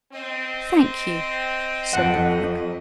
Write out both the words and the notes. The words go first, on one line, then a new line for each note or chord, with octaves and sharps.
"Thank you," said the monarch.
C4 D#5
F2 F#5 G5 A5